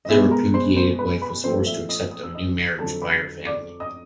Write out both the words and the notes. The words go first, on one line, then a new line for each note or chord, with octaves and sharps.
The repudiated wife was forced to accept a new marriage by her family.
D#5
B2 G#3 B3 E5
A#4 A#5
C5 C6
C5 C6
B4 B5
B4 B5
A#2 F3 A3 C4 C5 C6
E5 E6
D#5 D#6
D#6
E6
D#5 D#6
F2 D3 F#3 A4 A5
B4 B5
D5 D6
D#5 D#6